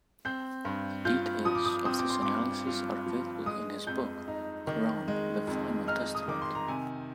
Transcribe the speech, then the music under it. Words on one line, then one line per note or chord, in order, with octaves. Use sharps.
The details of this analysis are available in his book, "Quran, the Final Testament".
C4 G6
G2
F4 G6
F3 D#6
D6
D#6
C4 D#6
D6
C6
G2 D6
F4
F3
G#3 D#6
F2 G6
D#4
D#3
G#3
F2
D#4 F6
D#6
D#3 D6
C6
A#5
C3 G#5